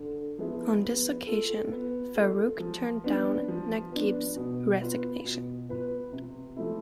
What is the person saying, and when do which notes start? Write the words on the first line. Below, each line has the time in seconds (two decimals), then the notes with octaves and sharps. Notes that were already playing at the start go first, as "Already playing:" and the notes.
On this occasion, Farouk turned down Naguib's resignation.
Already playing: D3
0.38 F3 B3 E4 G#4
0.83 B3
1.27 F4 A4
1.72 B3
2.16 F4 A4
2.60 F3
3.04 B3 D4
3.48 F3
3.92 B3 D4
4.36 B2
4.81 B3 F4 B4
5.24 B2
5.69 B3 F4 B4
6.13 C3
6.57 F3 A3 E4